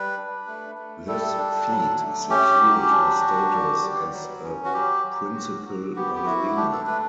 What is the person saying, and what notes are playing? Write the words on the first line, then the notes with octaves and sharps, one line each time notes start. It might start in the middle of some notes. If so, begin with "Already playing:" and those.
This feat secured her status as a principal ballerina.
Already playing: G3 B4
D4
A3
A3
G3 A4
D4
F#3
A3
C#4 G4
F#3
D4
F#4
G3
G3
F#3
C#4
F#4
F#3 G4
F#3
F#4
F#4
B3 G4
G4
E4 F#4
D4 G4
A4
A3 B4